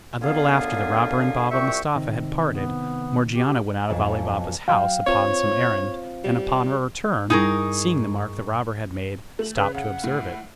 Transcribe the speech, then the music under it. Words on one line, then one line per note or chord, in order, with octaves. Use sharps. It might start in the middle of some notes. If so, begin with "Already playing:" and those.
A little after the robber and Baba Mustapha had parted, Morgiana went out of Ali Baba's house upon some errand, and upon her return, seeing the mark the robber had made, stopped to observe it.
F#2 D3 B3 F4 G#4 F5
C2 F3 E5 G5 C#6
C3 D#3
B3
G4
B1 F2 G#5 A5 D#7
F#3 F5 G5
C4 F4 C5 C#5
G3
G2 G3 D#4 E4 G#4 A#4 C#6
A3 F#7
C#3 B4
C#3 F#5
A2